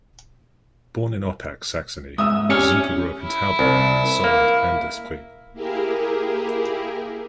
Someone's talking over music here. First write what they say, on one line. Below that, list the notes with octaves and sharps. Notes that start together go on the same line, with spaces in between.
Born in Oppach, Saxony, Zumpe grew up in Taubenheim in Sohland an der Spree.
G#2 E5 D#6 E6
C#4 G4 D5 G#5 F6 C#7
E4
C2
A#3
A#3 E4 G4 G#4 A#4